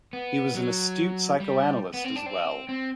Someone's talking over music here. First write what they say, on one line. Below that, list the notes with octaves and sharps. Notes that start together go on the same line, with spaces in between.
He was an astute psychoanalyst as well.
B3
F#3
G3
B3
C4
D4
C4
C4